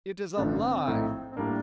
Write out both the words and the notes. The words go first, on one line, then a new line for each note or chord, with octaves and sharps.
"It is a lie!"
A1 G2 D3 A3 D4
C4
A#3
C4
A#1 A2 A3 D#4
C4
A2 G3 A#3 D4